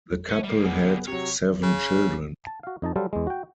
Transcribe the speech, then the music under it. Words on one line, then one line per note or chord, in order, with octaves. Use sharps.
The couple had seven children.
C#4
G3 A#3
B3 G#4
C3 F#3 C#5
C#3
A5
F#4 F5
F2 D#4 D#5 A5
F#3 G3 A4 C5 F5
E2 G#3
F#4 G5